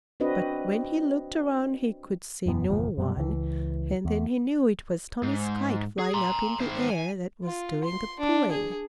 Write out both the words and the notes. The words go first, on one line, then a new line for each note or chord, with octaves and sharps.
But when he looked around he could see no one, and then he knew it was Tommie's kite, flying up in the air, that was doing the pulling.
C4 D4 F#4 B4 D#5
E1 F#2 F#3 B3
G1 E2 A#2 F3
F#2 B2 G3
C#2 E3
E2
G#2
G#4
A#5 C6
D#3 C5
G#5
F4
C6
D4
G#4